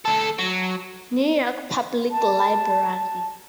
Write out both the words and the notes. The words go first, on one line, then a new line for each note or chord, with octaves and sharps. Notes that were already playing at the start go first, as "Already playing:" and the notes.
New York Public Library.
D2 A4
F#3
A5